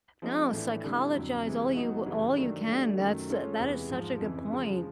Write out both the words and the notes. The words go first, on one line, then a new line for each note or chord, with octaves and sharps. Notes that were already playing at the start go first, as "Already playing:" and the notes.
No, psychologize all you w all you can, that's a that is such a good point.
F3 G#3 C4 D#4
A2 E3 A3 D4
D3 G3 C4 E4
F2 D3 F#3
C3 E3 G#3
F#3 B3 D#4 F#4
F#2 C#3 E3 G3
D#3 F#3 A3 D4
F#3 A3 D4 G4
F#2 D#3 F#3 A3
G#3 C#4 F4 A4 C#5
E2 C3 E3 G#3 B3
G#2 F3 G#3
F2 C#3 E3
C#3 F3 G#3